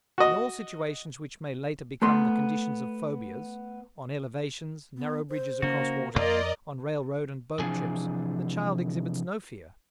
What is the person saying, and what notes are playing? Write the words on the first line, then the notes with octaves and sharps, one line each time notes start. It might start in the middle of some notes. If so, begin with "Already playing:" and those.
In all situations which may later become the conditions of phobias, on elevations, narrow bridges across water, on railroad and boat trips, the child exhibits no fear.
F#4 D#5
A3 B3 C6
B3
C5
C#3 A#3 C4 C#4 F#4
D1 F2 A#3 F4 A#4 D5 D#5
C3 E3 F3 D4 G#4 G#5